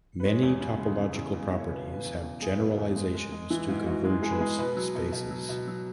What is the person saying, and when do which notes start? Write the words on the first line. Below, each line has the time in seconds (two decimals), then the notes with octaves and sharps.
Many topological properties have generalizations to convergence spaces.
0.20 B4
0.25 G#3 C#5
0.43 E2
0.60 C#3
0.79 G#3
0.97 C#3
1.15 E2
1.33 E2
1.47 C#3 E5
1.58 C#5
1.69 B2 B4
1.87 E2
1.93 B4
2.06 E2
2.23 E2
2.41 G#3 G#4
2.51 B4
2.60 B2 G#4
2.78 E2
2.95 G#3
3.14 G#3
3.32 G#3
3.50 E3
3.68 G#2
3.86 G#2 F#4
4.04 G#3
4.22 G#3 G#4
4.30 B4
4.38 G#4
4.40 G#3
4.58 B2 B4
4.77 F#3
4.95 B2
5.12 B2
5.30 F#3
5.49 B2
5.67 F#3